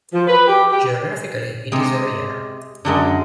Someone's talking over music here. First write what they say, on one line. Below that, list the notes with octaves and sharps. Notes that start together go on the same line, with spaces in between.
Geographically it is a ria.
F3
B4
G4
G4
C3 G#3
F#2 D3 F#3 G#3